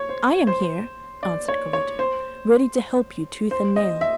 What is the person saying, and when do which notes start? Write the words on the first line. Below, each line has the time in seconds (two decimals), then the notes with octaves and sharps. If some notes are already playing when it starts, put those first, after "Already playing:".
"I am here," answered Corvetto, "ready to help you tooth and nail."
Already playing: C#5
0.09 C5
0.47 C5
1.23 D5
1.48 C#5
1.73 C#5
1.99 C5
3.51 C5
3.76 D#5
4.01 E5